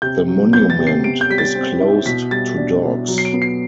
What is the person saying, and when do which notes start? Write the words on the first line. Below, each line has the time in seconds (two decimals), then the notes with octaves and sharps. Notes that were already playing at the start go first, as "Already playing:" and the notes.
The monument is closed to dogs.
0.02 C3 G6
0.28 F#3
0.53 B3 G6
0.70 A6
0.78 C3
0.87 C7
1.04 C3 D7
1.21 G6
1.30 G3 B6
1.38 A6
1.55 C4
1.80 E4
2.06 B2 B6
2.31 G3 A6
2.57 D4
2.83 B2
3.08 F#3
3.18 C7
3.25 D7
3.33 B3
3.42 C7